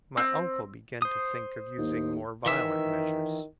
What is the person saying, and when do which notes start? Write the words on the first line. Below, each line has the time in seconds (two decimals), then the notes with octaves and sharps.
My uncle began to think of using more violent measures.
0.17 C4
1.02 C5 D#6
1.78 D#2
2.46 D#3 E3 E5